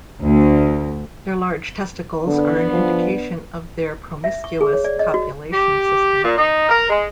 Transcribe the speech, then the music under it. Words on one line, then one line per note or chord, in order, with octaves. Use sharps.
Their large testicles are an indication of their promiscuous copulation system.
D2
D3 B3 D4
F3
E5
C#6
G#4
C#5
D5
D#5
F#4
G4
A#2
D#4
A#4
G#3